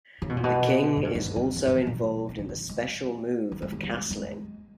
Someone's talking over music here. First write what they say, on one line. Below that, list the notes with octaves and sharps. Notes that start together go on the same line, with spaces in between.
The king is also involved in the special move of castling.
C#3
B2
A#2
B2
G#2
G2
G#2
G#2
G#2
G2
G#2
G#2
A#2
D#3
E3
C#3
G#3
G3
G#3
G#3
G3
G#3
G#3